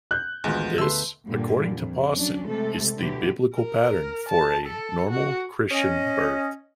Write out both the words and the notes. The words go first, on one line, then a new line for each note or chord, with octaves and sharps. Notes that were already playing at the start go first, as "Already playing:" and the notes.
This, according to Pawson, is the biblical pattern for a "normal Christian birth".
F#6 G6
A1 D2 D#3 E3 G#3 B3 F4
D2 D3 A3 B4 C6 E6
G2 A#2 D3 G3
F2
F#3 C#4 D4
C3 G#3 A3 A4
B2 D3 F#3 E4 G4
A#4
A5
A4
F#4
C#4 D#5